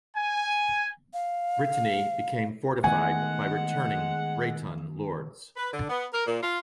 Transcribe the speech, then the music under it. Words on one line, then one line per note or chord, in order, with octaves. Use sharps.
Brittany became fortified by returning Breton lords.
G#5
F5
D#3 G#3 A3 B3 F#5 G#5
B4
D3
B3
A#4
A#2
F4